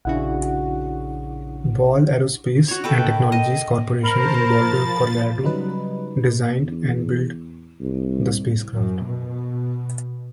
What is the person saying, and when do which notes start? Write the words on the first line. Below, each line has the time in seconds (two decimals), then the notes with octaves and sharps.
Ball Aerospace and Technologies Corporation in Boulder, Colorado, designed and built the spacecraft.
0.05 A#1 C#3 D4 E4 F#4 F#5
2.68 F#4 C#5
2.84 D#3 A4 B4 G5
3.32 D#5
4.03 A#4 C5 A5 B5
4.39 F3 A6
5.43 C#3 F#3 G3 D#4 B4
6.58 E2
7.80 C2
8.75 F#2
9.05 B2